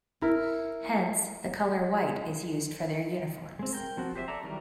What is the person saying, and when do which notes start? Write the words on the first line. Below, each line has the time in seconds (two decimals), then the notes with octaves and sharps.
Hence, the color white is used for their uniforms.
0.22 E4 A#4
3.59 G#3 C4
3.73 A#4 G5
3.97 F3 C4 F#4
4.16 G4 C5 D#5 E5
4.28 A4 D5 E5 A#5
4.43 D#3 E3 F#3 G3 A#4